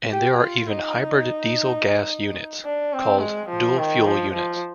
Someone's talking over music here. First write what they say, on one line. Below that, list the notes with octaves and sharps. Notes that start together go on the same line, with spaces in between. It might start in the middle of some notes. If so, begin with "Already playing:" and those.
And there are even hybrid diesel-gas units, called dual-fuel units.
G4
F4
D#4
D4
C4
G#3
F3
D#3
F3
F3